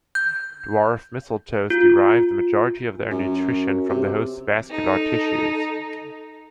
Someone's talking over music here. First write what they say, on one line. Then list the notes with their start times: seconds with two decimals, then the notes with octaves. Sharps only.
Dwarf mistletoes derive the majority of their nutrition from the host's vascular tissues.
0.15 G6
1.70 F4
3.11 F#2
3.89 C3
4.70 D#4 A4